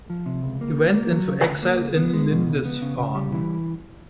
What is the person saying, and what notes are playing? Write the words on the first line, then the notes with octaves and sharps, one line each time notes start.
He went into exile in Lindisfarne.
F3
C3
C#2
A#3
D2
A#3
F#3
C#3
D2
A#3
C#2
B3
G#3
B2
C#2
B3
C#3
C#3
G3
E3